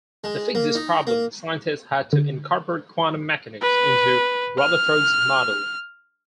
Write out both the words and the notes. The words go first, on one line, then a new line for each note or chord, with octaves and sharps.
To fix this problem, scientists had to incorporate quantum mechanics into Rutherford's model.
G#3
A#3
D#4
A#3
D3
B4
F6